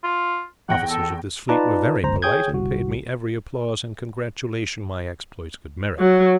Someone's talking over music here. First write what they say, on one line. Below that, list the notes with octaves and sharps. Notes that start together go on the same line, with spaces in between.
The officers of this fleet were very polite, and paid me every applause and congratulation my exploits could merit.
F4
E2 F#5 G5 A#6
A4
D#4 F4 B4 D5 A5 A#5
G1 C#2 F#2 C5 A#5
G#4 C#5 G5 D#6 G6 G#6
G1 C2 F#4
F#3